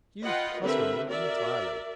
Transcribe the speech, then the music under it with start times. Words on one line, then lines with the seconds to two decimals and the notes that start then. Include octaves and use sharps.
"You puzzle me entirely."
0.23 F4 B4 D#5 F#5 G5
0.60 D3 C4 G4 A#4 B4 E5
1.08 F#4 A#4 D5 E5